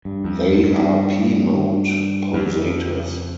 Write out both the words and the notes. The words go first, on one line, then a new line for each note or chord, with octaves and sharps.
They are p-mode pulsators.
G2
F2
G2
G2
F2